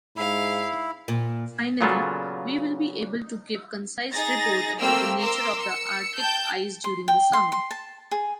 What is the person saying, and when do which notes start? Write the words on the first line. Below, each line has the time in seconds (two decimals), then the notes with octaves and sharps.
Finally, we will be able to give concise report about the nature of the artic ice during the summer.
0.16 G#2 E4 F5
1.08 A#2
1.81 A#2 C#3 F#3 B3 F4 A4
4.12 D#4 G#4 A6 A#6
4.78 A3 A#3 C4 G5 E6 F6
5.18 A#4 C6 D6 E6
5.58 E6 C#7
6.17 G5 A5 G6
6.84 C6
7.08 G5
7.33 C6
7.52 C6
7.71 A5
8.11 G#4